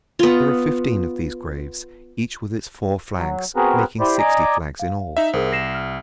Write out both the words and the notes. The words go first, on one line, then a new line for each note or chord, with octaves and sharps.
There are fifteen of these graves, each with its four flags, making sixty flags in all.
B3 F4
F#3
B3 C4 F#4 G#4 A#4 B4
E4 G4 C5 D5
D5 D#5 G#5 A#5 D6
F5
D#4 E5
C2 G#4 A#4 C5
A#6 C7 E7
F6